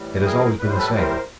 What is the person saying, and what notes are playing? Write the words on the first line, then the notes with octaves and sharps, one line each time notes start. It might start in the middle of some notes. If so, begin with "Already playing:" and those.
It has always been the same.
Already playing: A2 E3 G3
G#4 A#4
A2 E3 G3 B4
C5
A4 B4
A#4 C5